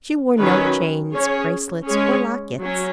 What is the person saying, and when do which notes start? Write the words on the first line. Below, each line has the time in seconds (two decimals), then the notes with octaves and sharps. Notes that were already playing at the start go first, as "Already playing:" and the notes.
She wore no chains, bracelets or lockets.
0.39 D#3 F#3 C#4 B4
1.13 C#4 G#4 C#5
1.88 G#3 C#4 G#4 C#5
2.62 F#3 C#4